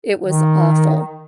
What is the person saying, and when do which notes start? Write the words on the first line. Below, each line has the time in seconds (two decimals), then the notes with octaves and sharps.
It was awful.
0.26 D#3